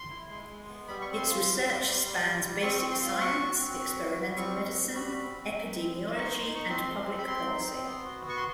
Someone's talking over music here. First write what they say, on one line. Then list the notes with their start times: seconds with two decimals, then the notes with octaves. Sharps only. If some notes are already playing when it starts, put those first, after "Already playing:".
Its research spans basic science, experimental medicine, epidemiology and public policy.
Already playing: C6
0.10 E4
0.29 G#3
0.49 G#3
0.69 B3
0.88 G3 B5
1.02 C#6
1.07 C4
1.12 C#6
1.17 C6
1.26 F4
1.32 C6
1.46 G3
1.65 G3
1.84 G3
2.04 G3
2.24 G3
2.43 G3
2.63 C4 C#6
2.76 C#6
2.82 C4
2.91 C6
3.01 F4
3.06 C6
3.20 F#4 C#6
3.40 F#4
3.59 C4
3.78 F#4
3.98 G3
4.17 G3
4.36 C4 C#6
4.56 F#4
4.76 G3
4.94 F#4 B5
5.14 C4
5.34 C4
5.54 D#4
5.72 C4
5.91 G#3
6.11 D#4
6.17 C#6
6.25 C6
6.31 D#4
6.40 C6
6.50 D#4
6.55 C#6
6.69 C4 C6
6.89 G#3
7.08 C4
7.18 B5
7.27 C4 C6
7.47 D#4
7.67 C4
7.85 B3
8.04 F#4
8.24 B3 C#6
8.37 C6